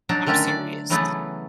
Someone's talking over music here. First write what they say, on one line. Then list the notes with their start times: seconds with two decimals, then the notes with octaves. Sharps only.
I'm serious.
0.09 F#3 D4 D#4
0.27 D3 D#3 A3 C#4 D4
0.47 D5
0.90 C#3 E3 F#3 A3 B3